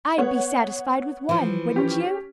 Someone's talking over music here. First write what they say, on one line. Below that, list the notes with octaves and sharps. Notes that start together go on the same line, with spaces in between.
I'd be satisfied with one, wouldn't you?
B3 C#5 F#5
E3 F3
C#4 G4